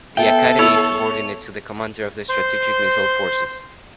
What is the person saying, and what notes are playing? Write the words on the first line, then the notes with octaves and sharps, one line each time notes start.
The academy is subordinate to the Commander of the Strategic Missile Forces.
B3 A4 E5 G5
E4 C#5
C5 C6